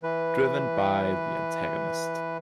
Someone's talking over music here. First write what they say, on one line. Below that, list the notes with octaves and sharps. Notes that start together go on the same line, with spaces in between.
Driven by the antagonist.
E3 B4